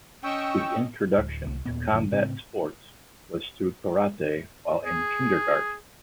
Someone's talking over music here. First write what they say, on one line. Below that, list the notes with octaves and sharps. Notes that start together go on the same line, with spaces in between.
His introduction to combat sports was through karate while in kindergarten.
C#4 D#5 G5 C#6 E6
D1
C2
D#2 A#2 B3
A#1 F#2 D3 F3
A2 C#3 C4
G#4